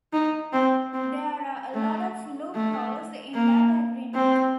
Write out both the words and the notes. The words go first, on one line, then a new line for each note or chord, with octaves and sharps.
There are a lot of loopholes in that agreement.
D#4
C4
C4
A3
A3
A#3
C4